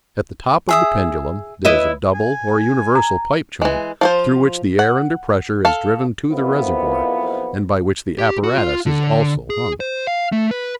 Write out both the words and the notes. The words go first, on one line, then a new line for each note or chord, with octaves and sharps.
At the top of the pendulum there is a double or universal pipe-joint through which the air under pressure is driven to the reservoir, and by which the apparatus is also hung.
G#4 E5 D#6
E4 B4 D#5
G#5
A#5
E3 G#3
F3 F4 C5
F#5
A4 F5
B1 F2 F3 A#3 B3 E4
G4
F#4
F4
D3
G#4
C5
F5
A3
B4